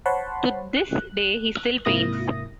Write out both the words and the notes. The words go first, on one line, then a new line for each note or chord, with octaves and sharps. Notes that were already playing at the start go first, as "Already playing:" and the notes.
To this day he still paints.
C5 C#5 F#5 A5 B5 C6
F#6
G#2 C3 A#3 E4 D#6 A#6